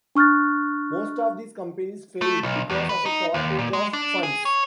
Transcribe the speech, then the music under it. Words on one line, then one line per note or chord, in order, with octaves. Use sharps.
Most of these companies failed because of a shortage of funds.
D4 C#6 F6 F#6 A6
A3
B1
E2
B4
D#4
D#2
A#2
G#3
D4
G#4
C#5